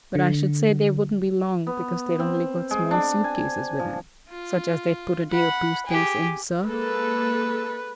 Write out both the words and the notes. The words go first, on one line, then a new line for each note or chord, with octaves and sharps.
"But I should say they wouldn't be long because they'd only got small suit-cases with them--such as they'd put a day or two's things in, sir."
D3
B3
C4
G#3
D4
G#5
F3
F4
F#5 B5
G4 G#4
G#3 A#3 A4 B4